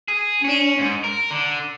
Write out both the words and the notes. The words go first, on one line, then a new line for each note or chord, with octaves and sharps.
I mean,
G#4
C#4
G#2
A#4
D3